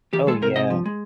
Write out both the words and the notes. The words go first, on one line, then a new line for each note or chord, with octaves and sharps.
Oh, yeah.
E3 G4
G#3 A4
C3 A#4
C3 D#5
F3
G#3